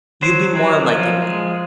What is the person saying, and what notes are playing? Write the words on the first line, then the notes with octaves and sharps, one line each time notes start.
you'll be more like an e
F#3 C5
F#3
F3
G#3